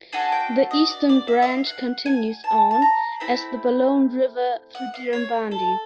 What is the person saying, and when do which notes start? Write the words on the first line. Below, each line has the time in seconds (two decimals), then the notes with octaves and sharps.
The eastern branch continues on as the Balonne River through Dirranbandi.
0.13 D4 F#4 A4 G#5
0.32 G5
0.71 D#5
0.90 D5
1.09 D5
1.28 E5
1.42 E5
1.47 F5
1.67 F#5
2.06 G#5
2.44 A5
2.71 A5
2.82 A#5
3.20 A3 C4 E4 B5
4.75 F#5
4.94 F5
5.13 C#5
5.51 A4